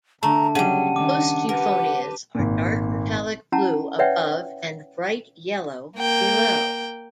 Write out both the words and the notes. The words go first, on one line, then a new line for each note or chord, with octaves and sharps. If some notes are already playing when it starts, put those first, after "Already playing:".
Most euphonias are dark metallic blue above and bright yellow below.
D3 A3 A5 A#5
C#3 F#3 G3 F#5 D#7
D#3 C#4 D4 D6
G4 A#4 B4 F#5
G#1 A#2
C#4 E4 F#5 A5 A#5
B4 C#5 D5 E5 F#5 G5
A#3 G5